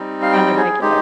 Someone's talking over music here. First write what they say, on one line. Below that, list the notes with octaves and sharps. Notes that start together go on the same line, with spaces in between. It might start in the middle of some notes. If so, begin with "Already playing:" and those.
on the regular.
Already playing: G3 C4 D#4
F5
G5
G#4
G#3 D#4 G4